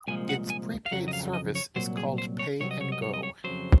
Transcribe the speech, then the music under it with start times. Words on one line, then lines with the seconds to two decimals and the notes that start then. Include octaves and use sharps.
Its prepaid service is called Pay and Go.
0.08 C2 A#2 F3 G#3 G#5
0.29 F#5
0.50 G#5
0.86 F5
0.91 F2 C#3 F#3 F#5
1.08 D#5
1.13 F5
1.33 D#5
1.55 C#5
1.76 C2 A#2 F#3 C5
1.97 G#4
2.18 C5
2.39 C#5
2.60 C2 C3 F#3 C#5
2.71 D#5
2.81 C#5
2.92 D#5
3.02 C#5
3.14 D#5
3.23 C#5
3.44 F2 C#3 F#3 C5